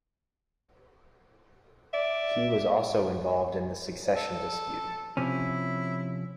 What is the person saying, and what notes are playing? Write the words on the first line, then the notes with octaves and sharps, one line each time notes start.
He was also involved in the succession dispute.
D5 E5
A4
C3 F3 C#4 E4